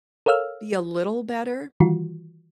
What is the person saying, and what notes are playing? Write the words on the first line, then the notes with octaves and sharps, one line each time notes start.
be a little better
A4 A#4 C#5 F5 E6 F6
D#3 E3 G3 F4 F#4